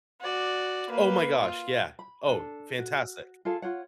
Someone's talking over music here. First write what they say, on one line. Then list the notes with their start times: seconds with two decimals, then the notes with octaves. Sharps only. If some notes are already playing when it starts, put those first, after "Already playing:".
Oh, my gosh, yeah. Oh, fantastic.
0.20 F#4 D5
0.90 A#3 B4
1.41 F4
1.99 B5
2.27 D4 A4
2.79 F#4
3.45 F4 G#4 A4 F5
3.62 F4 C#5 F#5